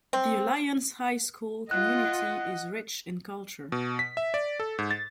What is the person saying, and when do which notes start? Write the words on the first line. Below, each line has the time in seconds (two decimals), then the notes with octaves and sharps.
The Alliance High School community is rich in culture.
0.13 C4
1.71 F4 D#5 F#5 F#6
3.72 B2
3.99 B6
4.17 E5
4.34 D5
4.60 A4
4.79 G#2
4.91 A6